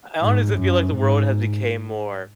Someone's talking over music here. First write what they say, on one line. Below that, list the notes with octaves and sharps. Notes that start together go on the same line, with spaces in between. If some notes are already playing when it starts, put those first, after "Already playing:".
I honestly feel like the world has became more
G#2
F#2
G#2